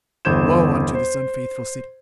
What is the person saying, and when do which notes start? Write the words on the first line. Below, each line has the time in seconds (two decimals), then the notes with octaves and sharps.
Woe unto this unfaithful city!
0.25 G1 E2 C5 G6 G#6 E7
0.95 C5